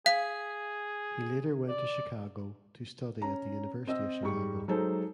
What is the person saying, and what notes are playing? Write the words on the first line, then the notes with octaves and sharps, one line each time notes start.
He later went to Chicago to study at the University of Chicago.
G#4 F5
D5
C#4 A#5
C4 D#5 E6
G#2 G3 C#6
F#3 G#3 D#4 A4 C5